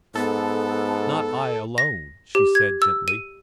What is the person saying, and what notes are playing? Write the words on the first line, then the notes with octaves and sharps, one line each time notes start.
"Not I alone," she said gently.
G#2 B3 A4
A#6
G4
G#6
E6
D#7